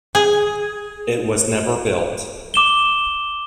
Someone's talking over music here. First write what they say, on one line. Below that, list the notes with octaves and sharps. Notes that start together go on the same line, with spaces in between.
It was never built.
G#4
D6 E7 G7